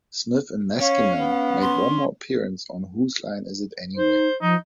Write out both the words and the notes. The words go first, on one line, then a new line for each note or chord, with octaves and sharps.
Smith and Meskimen made one more appearance on Whose Line Is It Anyway?
C#4 C#5 F5
B3
C6
D#4 C5
F3 D#4